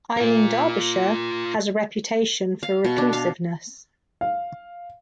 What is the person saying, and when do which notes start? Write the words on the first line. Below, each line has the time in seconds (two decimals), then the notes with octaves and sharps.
Eileen Derbyshire has a reputation for reclusiveness.
0.17 F4 A#4
2.63 F5
2.84 B2
2.98 D4
3.13 F5
4.21 F5